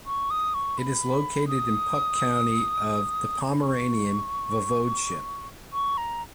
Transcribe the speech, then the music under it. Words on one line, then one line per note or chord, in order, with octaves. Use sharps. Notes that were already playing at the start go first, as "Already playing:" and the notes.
It is located in Puck County of the Pomeranian Voivodeship.
C#6
D#6
C#6
B5
D#6
A#5
B5
C#6
C#6
A#5